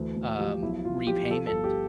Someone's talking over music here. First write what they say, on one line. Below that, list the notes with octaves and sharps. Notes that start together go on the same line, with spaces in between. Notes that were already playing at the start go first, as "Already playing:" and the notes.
um, repayment.
Already playing: D2 E3
D2
F3 G4
B1 E4
B1 F4
F3 G4
F3 A4
A4
G1
G4